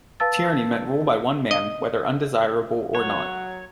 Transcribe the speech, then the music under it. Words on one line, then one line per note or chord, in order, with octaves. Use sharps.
"Tyranny" meant rule by one man whether undesirable or not.
B4 F5 A5 E6 A6
D#5
F#3 C#5 F#5